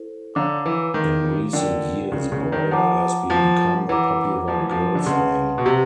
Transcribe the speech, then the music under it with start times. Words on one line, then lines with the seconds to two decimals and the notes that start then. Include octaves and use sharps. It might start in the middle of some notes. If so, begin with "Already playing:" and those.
In recent years Bryher has been become a popular girl's name.
Already playing: E4 A4 C5
0.35 D3 C#5 F5 A#5 D6
0.66 E3
0.94 D#3
1.53 D3 F4 A#4 D5 G5
2.12 C#3
2.32 C#3
2.52 D#3
2.71 F3 C#5 F#5 A#5 D6
3.30 F3
3.89 E3 C#5 F#5 A#5 D6
4.48 F3
4.59 E3
4.71 F3
4.95 D3
5.06 C#3 B4 D#5 F#5 A5 C6
5.58 B2
5.66 C3